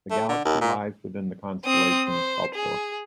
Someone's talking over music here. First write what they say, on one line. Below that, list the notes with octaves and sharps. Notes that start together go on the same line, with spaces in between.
The galaxy lies within the constellation Sculptor.
A3
D3
D#2
A#2
C4 D#6
C5
G#4